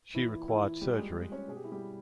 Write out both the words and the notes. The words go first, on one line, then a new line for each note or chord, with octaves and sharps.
She required surgery.
A#2 E3 E4
E3 E4
A#2 G3 G4
G#3 G#4
C#4 C#5
B2 G#4
G4
E4
G3 G4